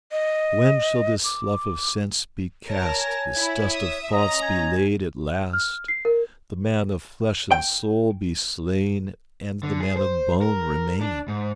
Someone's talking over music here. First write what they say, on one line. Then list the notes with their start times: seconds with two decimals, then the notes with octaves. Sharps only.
"When shall this slough of sense be cast, This dust of thoughts be laid at last, The man of flesh and soul be slain And the man of bone remain?"
0.12 D#5
1.24 D6
2.69 A#4 C#5 A5 A#6
2.99 G#5
3.37 E4
3.69 E5 D#6
4.12 C#4 D#5 A#5 D#6
4.42 G#5
5.53 F6
5.88 C7
6.05 A#4
7.51 G5
9.63 D3
9.80 G#4
9.97 C5
10.41 A#4
11.01 D4
11.28 G#2